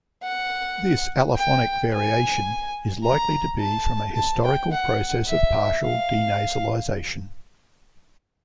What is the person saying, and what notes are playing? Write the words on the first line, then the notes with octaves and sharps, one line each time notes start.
This allophonic variation is likely to be from a historical process of partial denasalization.
F#5
G5
G#5
A#5
A5
A5
G5
F#5
E5
F5